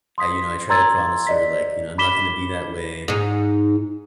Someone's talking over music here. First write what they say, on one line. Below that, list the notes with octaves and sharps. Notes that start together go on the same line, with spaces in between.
I you know, I try to promise her, like, you know, "I'm not gonna be that way
C6 D#6 B6
A#5 C6 E6 G#6 A6
D5 D#5 B6
B5 D6 B6 E7 G7
G#2 D#4